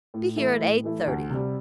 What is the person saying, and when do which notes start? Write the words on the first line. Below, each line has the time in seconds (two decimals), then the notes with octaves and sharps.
Be here at eight-thirty.
0.14 A2
0.37 E3 A3 E4
0.61 A2
0.84 E3 A3 E4
1.07 D2
1.30 C3 G3